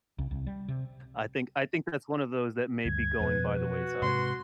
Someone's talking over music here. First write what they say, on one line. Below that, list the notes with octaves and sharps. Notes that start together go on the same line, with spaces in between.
I think I think that's one of those that may be going by the wayside.
C2
C2
G3
C3
D2 G2 G#6
F2 B2 B4
F#4
G#2 C3 C6